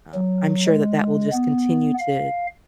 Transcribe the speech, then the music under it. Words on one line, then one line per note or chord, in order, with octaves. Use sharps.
um, I'm sure that that will just continue to
F#3
G#3
B3
F5